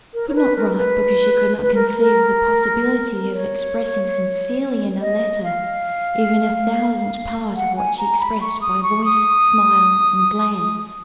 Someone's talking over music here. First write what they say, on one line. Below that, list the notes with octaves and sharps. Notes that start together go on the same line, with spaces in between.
She could not write, because she could not conceive the possibility of expressing sincerely in a letter even a thousandth part of what she expressed by voice, smile, and glance.
A#4
C#5
B4
A#4
B4
B4
A#4
A#4
C#5
D#5
F5
F#5
G#5
A#5
B5
C#6
D#6
C#6
D#6